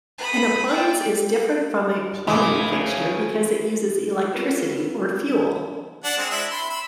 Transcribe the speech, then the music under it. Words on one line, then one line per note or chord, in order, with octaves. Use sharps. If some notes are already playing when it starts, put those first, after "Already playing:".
An appliance is different from a plumbing fixture because it uses electricity or fuel.
B5 D#6
D5 G5
D2 A2 C#3 E3 G#5 B5 D6
B3 C4 F4 A#4 B4
D4 F#5
G#3 C4
D4 E4 E5
B5 C6
B5 E6